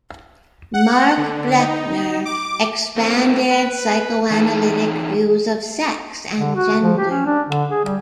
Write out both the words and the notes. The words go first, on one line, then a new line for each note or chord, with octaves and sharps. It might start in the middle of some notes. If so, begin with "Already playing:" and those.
Mark Blechner expanded psychoanalytic views of sex and gender.
F#5
D3
D#4
D6
A3 A#3 C4
B4
E3 A3 D4 D#4 G#4 A5
D3
F#4
F3
G4
C#4
D4
D3
G#4
G3